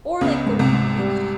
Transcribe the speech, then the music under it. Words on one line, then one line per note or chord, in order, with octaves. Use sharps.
or, like, go to the beach.
C#2 C#3 B3
G#2
C2 C3
G#2
G3